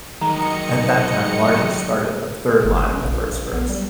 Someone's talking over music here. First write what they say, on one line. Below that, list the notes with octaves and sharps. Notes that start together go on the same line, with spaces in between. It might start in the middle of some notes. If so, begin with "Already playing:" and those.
At that time "largest" started the third line of the first verse.
D#3 F#3 G#3 D#5 A#5 C#7
G1
C#4
A#1
A#1
B3
G3